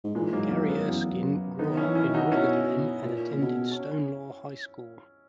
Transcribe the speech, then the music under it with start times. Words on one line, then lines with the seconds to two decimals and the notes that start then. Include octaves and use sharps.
Gary Erskine grew up in Rutherglen and attended Stonelaw High School.
0.04 G#2
0.15 A#2 E3 G#3
0.33 G#2 F#3 A#3
0.51 E2 F#3 A#3
0.61 G#2
0.68 F#2 G#3 B3
0.87 E2
1.12 F#2
1.59 D#3 B3 D#4
1.77 C#4 E4
1.84 E3
1.95 C#4 E4
2.08 D#3
2.14 D#4 F#4
2.32 B2 C#4 E4
3.04 A#2
3.33 C#3
3.41 B2
3.72 C#4